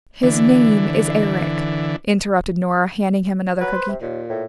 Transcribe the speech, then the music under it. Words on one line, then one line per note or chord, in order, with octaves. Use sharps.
"His name is Eric," interrupted Nora, handing him another cookie.
D3 E3
F#3 B4
C5
C3
D#2 A#2
A2